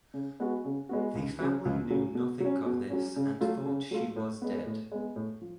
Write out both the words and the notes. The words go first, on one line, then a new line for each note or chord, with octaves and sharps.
The family knew nothing of this and thought she was dead.
C#3
G#3 B3 F#4
C#3
G#3 B3 F#4
C#2
C#3 F#3
C#2
C#3 F#3
B2
F#3 C#4
B2
F#3 C#4
C#3
F#3 A3 F4
C#3
F#3 A3 F4
A2
G#3 B3
A2
G#3 B3
A2
F3